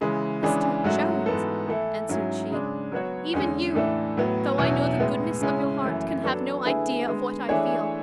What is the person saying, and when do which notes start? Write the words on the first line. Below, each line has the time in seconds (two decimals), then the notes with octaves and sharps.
Mr Jones," answered she, "even you, though I know the goodness of your heart, can have no idea of what I feel.
0.01 C#3 E3 G#3
0.43 C#3 E3 G#3 D4 G#4
0.84 G#2 F#3 A3 C#4 F#4
1.26 G#2 E3 B3 F#4 A4
1.68 E3 A3 E4 A4
2.09 G#2 F#3 C#4 E4
2.51 C#3 G#3 D4
2.92 F#3 B3 F#4 C#5
3.33 E2 D3 G#3 C#4
3.75 A2 E3 A3 D4 A4
4.17 A2 F#3 B3
4.58 E2 B2 F#3 C#4 E4
5.00 A2 G#3 B3
5.41 C#3 G#3 C#4 E4
5.83 F#2 E3 A3
6.24 F#3 B3 D4 A4
6.65 D3 A3 E4 G#4 B4
7.07 D3 G#3 B3
7.49 E3 A3 D4 G#4 C#5